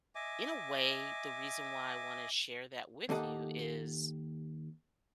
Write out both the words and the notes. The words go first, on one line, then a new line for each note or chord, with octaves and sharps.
in a way the reason why I wanna share that with you is
D#5 E5 G#5 D6
D#2 A#3 G4 A4 D#5 F#5